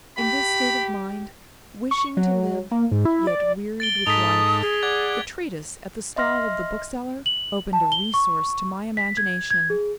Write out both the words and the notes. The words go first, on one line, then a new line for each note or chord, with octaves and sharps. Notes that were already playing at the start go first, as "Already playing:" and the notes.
In this state of mind, wishing to live, yet wearied with life, the treatise at the stall of the bookseller opened a resource to my imagination.
G4 B5
C#6
F#3
A#3
G#2
E4
D5
A6 D7 G7
G#2 D#4 A4 D#6 B6 F7
G#4
D5 F#5 G#6
D#5 E5 C6 F6 A#6
F#7
A5
G7
C#6
B6
G#6
G#6
G#4